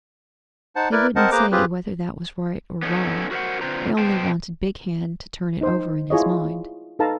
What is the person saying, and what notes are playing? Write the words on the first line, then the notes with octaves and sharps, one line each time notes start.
They wouldn't say whether that was right or wrong; they only wanted Big Hand to turn it over in his mind.
D#4 C5 F#5 A5
E4 A#4 B4 D5
C4 A#4 C5 D#5 F#5 A5
A#3 G#4 B4 C5 A#5 D6
C4 F4 G4 G#4 B4
B3 C#4 D#4 G4 A4
F#4 A#4 C5 E5 F#5
D3 C4 F4 B4 C5 A#5
B2 B3 C5 G5 A5
D#4 C5
E4 F4 G#4 C#5 D#5
D#4 A4 B4 F5 A5 A#5